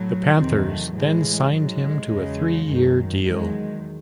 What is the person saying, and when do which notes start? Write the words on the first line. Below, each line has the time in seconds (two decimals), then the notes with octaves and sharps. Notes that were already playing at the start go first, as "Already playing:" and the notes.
The Panthers then signed him to a three-year deal.
Already playing: A2 F#3
0.37 E2 C3 D#3 F#3 C4
0.66 A3
0.95 A2 E3 G#3
1.52 G#2 F#3 G#3
2.09 E2 C#3 F#3
2.68 F#2 D#3 F#3
3.25 E2 D#3 F#3 G#3